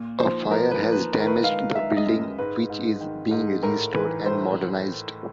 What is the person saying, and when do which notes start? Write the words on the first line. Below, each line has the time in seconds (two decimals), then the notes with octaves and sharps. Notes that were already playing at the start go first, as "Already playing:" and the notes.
A fire has damaged the building, which is being restored and modernised.
Already playing: A#2
0.19 F3 C5
0.51 F3 A#4
0.71 B4
0.82 F3
0.92 B4
1.13 D#3 B4
1.20 A#4
1.27 B4
1.44 G#3 F5
1.75 G#3 E5
1.97 D#5
2.06 F#2
2.38 G#2 B4
2.70 G#2
3.01 D#3
3.31 G#2
3.62 A2 A#4
3.94 E3 B4
4.26 A2 C5